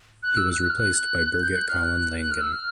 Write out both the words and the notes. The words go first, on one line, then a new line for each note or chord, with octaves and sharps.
He was replaced by Birgit Collin-Langen.
F#6
E6
F#6
F#6
F6
F#6
G6
F#6
F6
F#6
F#6
F6
E6
F6